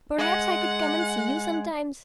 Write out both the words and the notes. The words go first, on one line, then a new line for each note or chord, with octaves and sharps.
Perhaps I could come and see you sometimes.'
G#3 F#5